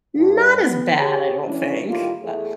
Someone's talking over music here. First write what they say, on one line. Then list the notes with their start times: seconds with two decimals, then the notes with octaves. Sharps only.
Not as bad, I don't think, but
0.18 G2
0.63 B3
0.98 G4 G#4 C#5
1.46 E3 C#4 D4
1.88 A2 D#3 G3 A#3 F4
2.23 E2 A3 G#4